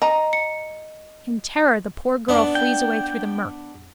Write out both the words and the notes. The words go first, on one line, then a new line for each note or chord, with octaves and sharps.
In terror the poor girl flees away through the murk.
D#5 A#5
C#7
B3 D4
G5